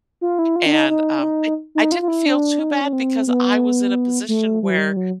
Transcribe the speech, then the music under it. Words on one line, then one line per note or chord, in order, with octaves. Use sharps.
And, um, I I didn't feel too bad because I was in a position where,
F4
E4
F4
D4
D#4
D#4
D4
D#4
D#4
F4
F4
E4
D4
D#4
D4
C#4
C4
B3
A3
G3
F#3
G3
F#3